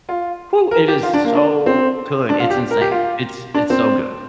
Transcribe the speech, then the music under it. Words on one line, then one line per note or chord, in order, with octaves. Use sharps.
Hoo, it is so good, it's insane. It's it's so good.
F4
A#4
G4
F4
D4
A#3
D4
C4
D4
F4
G4
A#4
G4
F4
D4
C4